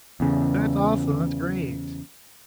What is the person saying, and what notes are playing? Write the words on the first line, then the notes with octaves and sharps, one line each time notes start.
That's awesome. That's great.
E2 C#3